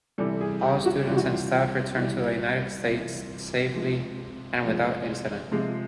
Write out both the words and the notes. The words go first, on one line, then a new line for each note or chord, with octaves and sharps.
All students and staff returned to the United States safely and without incident.
C3 E3 G3 A4
G#4
G4
F#4
C3 E3 G3 F4
F#4
F4
F4
C3 E3 G3 E4
C3 E3 G3 F4
C3 F3 G#3
C3 F3 G#3
C3 F3 G#3 F4